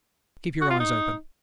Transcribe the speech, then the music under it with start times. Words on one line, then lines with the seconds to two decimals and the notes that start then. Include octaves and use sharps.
Keep your eyes open.
0.61 F#4
0.70 F4
0.80 D#4